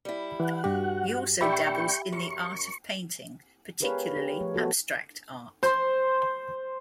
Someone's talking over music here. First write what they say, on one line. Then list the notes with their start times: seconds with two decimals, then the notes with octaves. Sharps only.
He also dabbles in the art of painting, particularly abstract art.
0.05 G3 E4
0.40 E3 F#5
0.64 G2 F#4 G4
1.41 A#2 D4 E4 G4 E5 G5 B5 C#6
2.12 F#2 C#6
3.81 G4 G#4 A#4 B4 C#5 F5
4.17 G4
4.40 F3 A3 C#5
4.54 B3 F#4 A4
5.63 C5